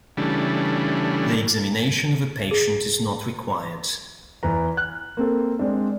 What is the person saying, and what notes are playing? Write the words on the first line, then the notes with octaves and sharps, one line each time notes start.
The examination of a patient is not required.
C#3 E3 G3 A3 D4
G#4
E2 B4 A#5
F6 F#6
A#3 C4 A4
G#3 C4 D4